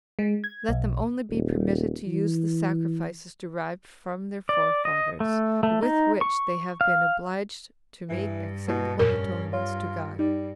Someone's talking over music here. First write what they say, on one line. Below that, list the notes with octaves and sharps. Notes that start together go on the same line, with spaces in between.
Let them only be permitted to use the sacrifices derived from their forefathers, with which they have been obliged to make acceptable atonements to God.
G#3
G#6
B1
D#1
E3
D5
D#5
A3
A3
D#4
C#6
F5
G2 E3
B2 A#3 E4 G4
F2 A#2 C#4 A#4
F4 C#5
G3 D#4